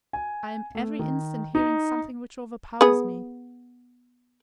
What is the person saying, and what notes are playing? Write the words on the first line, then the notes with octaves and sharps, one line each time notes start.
I am every instant hearing something which overpowers me.
G#5
A3
D#3
D#4
B3 G#4